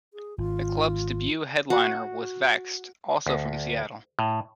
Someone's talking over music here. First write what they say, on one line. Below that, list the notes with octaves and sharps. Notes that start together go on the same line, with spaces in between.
The club's debut headliner was Vexed, also from Seattle.
G#4
G#1 F4
F#4
D2
A2